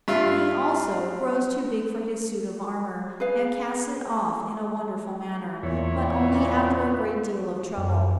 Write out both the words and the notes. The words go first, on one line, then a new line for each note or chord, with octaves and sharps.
He, also, grows too big for his suit of armour, and casts it off in a wonderful manner, but only after a great deal of trouble.
G2 F4 E5
G#4 B4 F5
E2 A#2 E4 C#5
F#2